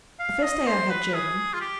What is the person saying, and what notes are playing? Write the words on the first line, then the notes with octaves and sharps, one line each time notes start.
The first day I had German.
F5
D#5
C5
B4
G#4
F4
G4